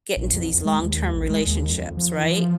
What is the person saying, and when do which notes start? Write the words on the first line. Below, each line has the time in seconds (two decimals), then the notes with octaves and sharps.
get into these long-term relationships, right?
0.17 A#1
0.33 F2
0.54 E2
0.65 G#3
0.80 D#2
1.14 A#1
1.30 G#3
1.46 D#2
1.71 F2
1.97 F3
2.17 E3
2.31 F3